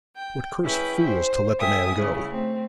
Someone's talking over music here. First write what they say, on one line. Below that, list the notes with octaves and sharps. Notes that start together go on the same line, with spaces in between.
'What cursed fools to let the man go!
G5
C#4 E4 G#4 B4 G5
C5
A4 E5 G5 G#5 D#6
C#3 G3 E4
A3 C4